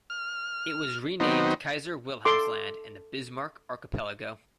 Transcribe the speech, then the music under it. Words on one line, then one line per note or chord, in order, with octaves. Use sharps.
It was renamed Kaiser-Wilhelmsland and the Bismarck Archipelago.
F6
D#3 F#3 B3 C4 D#4
A4 C6 D6